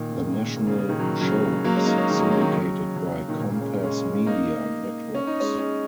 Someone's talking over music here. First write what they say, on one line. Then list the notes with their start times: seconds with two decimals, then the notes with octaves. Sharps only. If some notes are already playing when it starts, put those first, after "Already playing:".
The national show is syndicated by Compass Media Networks.
Already playing: A#2 D#3
0.12 C#3
0.34 A#2
0.45 C#3
0.56 A#2
0.67 C#3
0.78 C#3
0.89 A#2 D#3
1.00 C#3 F#3
1.10 C#3
1.21 C#3 F#3
1.65 F#3 A#3
1.76 G#3 C#4
1.86 A#3 D#4
1.98 G#3 C#4
2.09 D#3 G#3
2.19 F#3 A#3
2.30 G#3 C#4
2.41 D#3 G#3
2.53 C#3 F#3
2.96 C#3 F#3
3.06 C#3
3.18 C#3
3.28 A#2 D#3
3.39 A#2
3.50 C#3
3.61 G#3 C#4
3.83 G#3 C#4
4.26 A#3 D#4
5.14 C#4
5.27 D#4
5.40 G#3 C#4
5.58 G#3 C#4